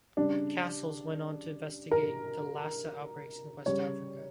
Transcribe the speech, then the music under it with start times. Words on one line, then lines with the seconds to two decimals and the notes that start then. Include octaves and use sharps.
Casals went on to investigate the Lassa outbreaks in West Africa.
0.17 C#3 G3 D4
1.91 A#4
3.66 C#3 G3 C#5